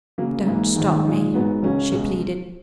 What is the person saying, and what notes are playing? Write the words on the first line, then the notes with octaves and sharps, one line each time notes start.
"Don't stop me," she pleaded.
C#3 F#3 A#3
G#2 E3 A#3 E4
A#1 G#2 D#3
A#2 G#3 D#4
G#2 F#3 B3
C#2 C#3 F#3 C#4
C#2 B2 G#3